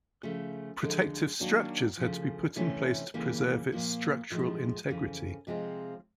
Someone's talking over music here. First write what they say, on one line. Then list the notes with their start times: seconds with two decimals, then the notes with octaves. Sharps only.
Protective structures had to be put in place to preserve its structural integrity.
0.23 C#3 F3 A3
0.82 D2 D3 F3 G#3
1.40 D#3 F#3 A#3 D4 F#4
1.97 D2 C#3 F3
2.56 D2 C3 E3 A3 C#4
3.14 D#2 C#3 E3 G3 A#3
3.72 A#2 F3 A#3
4.30 A2 F3 G#3
4.89 F2 C#3 E3
5.47 C3 F3 G#3 C4 F4